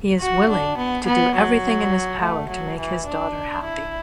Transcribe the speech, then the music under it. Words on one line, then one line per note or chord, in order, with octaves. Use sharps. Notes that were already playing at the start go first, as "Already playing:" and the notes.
He is willing to do everything in his power to make his daughter happy.
F#4
D4
B3
B3
F#3
A3
F#3
E3
D4
E4